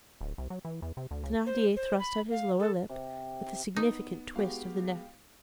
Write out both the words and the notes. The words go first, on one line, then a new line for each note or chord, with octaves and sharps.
Thenardier thrust out his lower lip with a significant twist of the neck.
D1
C2
F#3
E3
E2
C3
D2
C#2
C5
C5
B5
F5
A4
C3
B3 D#4
G#3 B3 F#4 G4 F5